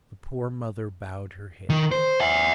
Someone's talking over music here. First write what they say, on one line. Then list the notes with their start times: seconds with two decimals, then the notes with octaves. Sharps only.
The poor mother bowed her head.
1.70 D#3
1.91 C5
2.21 E5 F#5